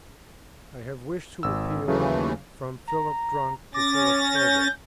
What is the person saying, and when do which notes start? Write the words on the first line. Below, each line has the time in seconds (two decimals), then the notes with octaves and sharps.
I have wished to appeal from Philip drunk to Philip sober.
1.43 G#1 E6
1.88 D#2 C#3 E3 F#3 A3
2.87 A#5
3.74 C#4 D6 A6 A#6
4.35 G6